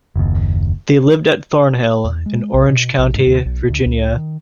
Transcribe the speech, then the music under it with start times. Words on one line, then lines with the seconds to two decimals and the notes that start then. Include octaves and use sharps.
They lived at "Thornhill" in Orange County, Virginia.
0.16 F#1 D#2
2.05 E2
2.26 G#3
2.54 B1
2.69 B2
2.99 A#1
3.14 G#2
3.27 D2
3.46 B1
3.69 D2
3.86 C#2
4.17 D#3